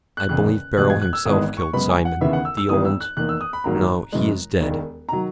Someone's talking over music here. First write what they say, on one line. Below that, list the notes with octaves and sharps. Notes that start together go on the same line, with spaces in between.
I believe Beryl himself killed Simon--the old--no, he is dead.
F#6
F#1 E2 C#3 F#6
E2 B2 G#3 F#6
G#6
F#6
E6
G#1 G#2 E3 G#3 B3 D#6
C#6
F#2 C#3 G#3 B3 B5
G#5
F#5
D#2 C#3 E3 B3 E5
F#5
E6
E6
G#1 G#2 E3 B3 D#6
E6
F#6
E2 D#3 A#3 F#6
E6
D#6
B5
G#1 G#2 F#3 A#3 A#5
F#2 E3 G#3
E1 D#2 D#3
D#3 F#3 A#5